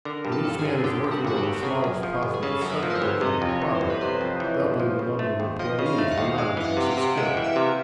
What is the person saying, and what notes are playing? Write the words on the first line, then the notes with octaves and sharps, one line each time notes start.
When each man is working on the smallest possible subdivision of the product, doubling the number of employees will not increase his skill.
D3 A#4
G2
A4
G1
G#4
G1
D3 G4
G2
F#4
G1 F#4
G4
G1
G4
C#3 G#4
F#2
F3
G1
G#4
C#3 A4
F#2 A#4
B4
F3
C5
C#5
G1
C3 D#5
F2
C#5
E3
C5
G1
B4
C3 C5
F2
E3
G1
F3
C#3
A3
D#2
F3 D#5
C#3
F5
A3
F#5
D#2
G#3 F5
E3 F#5
F5
C3 G5
F#5
C3
G#3 E5
E3
E5
C3